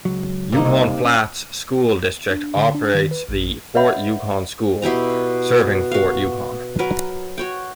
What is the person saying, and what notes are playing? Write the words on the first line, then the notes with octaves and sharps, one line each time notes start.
Yukon Flats School District operates the Fort Yukon School, serving Fort Yukon.
C#2 F#3
C2 C3 A#3 D#4
C#4
D4
D3
D4
D#3
B4
A1
B4 C#5 D#5 E5 F#5 B5
B2 E4 G4 A#5
F#4 F5
F#3 A#4 B4
F#4 C#5 G5